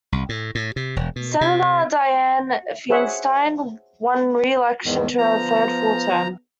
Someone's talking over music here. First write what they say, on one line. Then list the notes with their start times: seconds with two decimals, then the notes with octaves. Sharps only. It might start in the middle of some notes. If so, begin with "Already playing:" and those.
Senator Dianne Feinstein won re-election to her third full term.
0.12 C2
0.29 A2
0.55 A2
0.76 C3
0.96 E1
1.16 B2
1.41 C3
2.90 G#4 C5 C#5 E5 F#5
4.85 E2 G#2 D#3 B3
5.18 F3 A#5